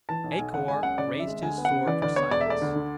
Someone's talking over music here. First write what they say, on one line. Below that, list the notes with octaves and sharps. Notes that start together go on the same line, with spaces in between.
A-Kor raised his sword for silence.
E3 A5
B1
G#5
B1
G#1 F#5
G#3 G#5
F#2 F#5
C#3 D5
G#1
E5
G#3
D2 G#5
B3
F#5
C#3
E3 D5
D2 D5
B3 C#5
E1 D5
E5
A3 D5
D2
D3